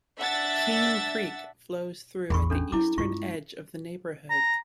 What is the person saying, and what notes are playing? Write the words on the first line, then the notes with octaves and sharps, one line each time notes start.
Keene Creek flows through at the eastern edge of the neighborhood.
D4 E5 F#5 E6 A6
A1 E2 G#4 B5 C#6
C#4 D4 A4
F#3 E4 D6
G2 G#3 F4 C#6
A#5